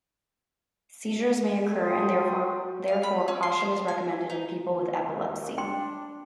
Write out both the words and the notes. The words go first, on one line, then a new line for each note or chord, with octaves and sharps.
Seizures may occur and therefore caution is recommended in people with epilepsy.
A4 G5 C6 D#6
F#4
F5
B5
C#4
C6
C5
G#5
D#4
D#2
D4 G5 C6